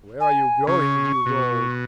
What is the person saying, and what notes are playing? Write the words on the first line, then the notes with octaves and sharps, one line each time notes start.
"Where are you going, you rogue?"
G#5
C#3 C#6
B2